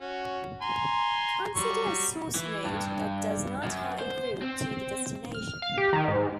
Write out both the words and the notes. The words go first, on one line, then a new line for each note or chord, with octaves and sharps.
Consider a source node that does not have a route to the destination.
C#4 F#4
G#5 A#5 C6
F#3 G3 C#6
E3
G2
F#2
C5
C4
F6
F5
G4
D#3
G#2